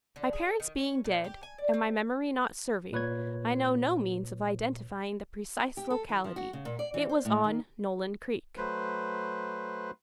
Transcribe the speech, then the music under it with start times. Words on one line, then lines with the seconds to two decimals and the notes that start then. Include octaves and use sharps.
My parents being dead, and my memory not serving, I know no means of identifying the precise locality. It was on Nolen Creek.
0.16 D3
0.33 G#4
0.60 D#3
0.78 C#4
1.04 A#2
1.24 G4
1.43 G#5
1.58 D5
1.74 C4
2.92 A#2 B4 C#5 G#6
5.77 G4
5.90 A4
6.09 E3
6.24 F3
6.36 F#4
6.53 C#3
6.65 A#2
6.79 D5
6.94 E3
7.09 C5
7.25 A2
7.44 D#3
8.57 F#3 A3 B4 C5